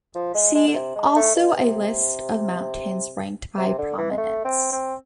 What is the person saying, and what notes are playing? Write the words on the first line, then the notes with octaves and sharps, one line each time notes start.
See also a list of mountains ranked by prominence.
F3
G#3
G#3
D3
C3
G#3
A3
B2
C3
C3
D3
E3
G#3
A3
C4
C4